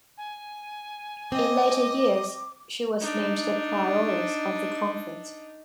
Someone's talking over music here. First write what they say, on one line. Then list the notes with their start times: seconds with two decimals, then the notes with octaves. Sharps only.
In later years she was named the prioress of the convent.
0.18 G#5
1.32 C4 D#5 D6
3.01 D4 D#4